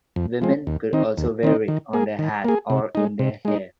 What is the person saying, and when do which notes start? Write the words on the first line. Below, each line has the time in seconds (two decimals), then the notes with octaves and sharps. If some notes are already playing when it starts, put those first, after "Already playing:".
Women could also wear it on their hat or in their hair.
0.16 F2
0.42 F3 G#3 C4
0.67 D#2
0.93 D#3 C4 D#4
1.18 D#2
1.43 D#3 C4 D#4
1.68 D#3
1.93 A#3 G#4
2.19 D#3
2.45 A#3 G#4
2.70 C3
2.95 G#3 D#4
3.19 C3
3.45 G#3 D#4